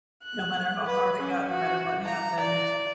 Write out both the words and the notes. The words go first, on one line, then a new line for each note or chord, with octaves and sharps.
no matter how hard it got, no matter what happened,
F#6
B4
C#4
F#4
A#5
D5